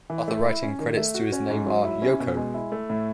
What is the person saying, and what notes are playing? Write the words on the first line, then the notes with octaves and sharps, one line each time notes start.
Other writing credits to his name are: Yoko!
E3
A3
E4
C#4
D#3
A3
F#4
C#4
G#2
F#3
E4
C#4
B2
G#3
E4
A3
A2